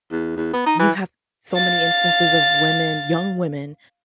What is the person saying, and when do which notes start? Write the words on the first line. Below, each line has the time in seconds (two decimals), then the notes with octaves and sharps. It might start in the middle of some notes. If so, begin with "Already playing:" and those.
you have so many instances of women, young women,
0.12 E2
0.36 E2
0.53 B3
0.66 D#4
0.79 E3
1.53 F5 A6